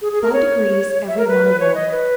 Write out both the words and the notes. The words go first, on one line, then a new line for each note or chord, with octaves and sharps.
By degrees every one awoke.
G#4
G#4
A#4
C#5
E5
A#4
B4
C#5
D#5
B4